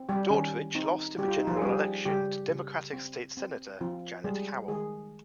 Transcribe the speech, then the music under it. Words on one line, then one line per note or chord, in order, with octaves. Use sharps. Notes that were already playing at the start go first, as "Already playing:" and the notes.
Daughtridge lost in the general election to Democratic State Senator Janet Cowell.
Already playing: C4
G3 G4
D#3 C#4
C4 D#4
G3 G4
F4
D#4
F3 F4
G#4
G3 C#4 G4
C#3 G3 G4
C#3
C4
C4
F3 C4 F4
G3 G#3 G#4
D#3 G#3 G#4